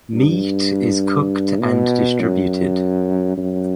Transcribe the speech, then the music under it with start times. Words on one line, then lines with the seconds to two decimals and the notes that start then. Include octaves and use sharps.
Meat is cooked and distributed.
0.14 G2
1.60 B2
2.20 F#2
3.37 F#2